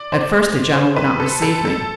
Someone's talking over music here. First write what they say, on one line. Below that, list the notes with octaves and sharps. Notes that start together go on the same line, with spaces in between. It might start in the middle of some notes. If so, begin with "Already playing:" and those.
"At first the general would not receive me."
Already playing: D5
C5
C5
B4
A4
A4
A4